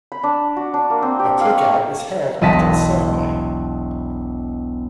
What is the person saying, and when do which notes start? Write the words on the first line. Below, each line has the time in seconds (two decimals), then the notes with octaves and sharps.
A cookout is held after the ceremony.
0.12 B5
0.23 D4
0.56 F#4
0.74 D4
0.90 A#3
1.02 C4
1.19 G4
1.41 F5
1.57 C#6
2.41 E1 B1 D#5 A5 B6